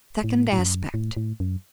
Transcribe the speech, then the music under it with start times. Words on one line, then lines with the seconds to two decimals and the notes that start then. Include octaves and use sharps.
Second Aspect.
0.24 A2
0.53 A2
0.59 F#2
0.94 A2
1.17 A2
1.40 F#2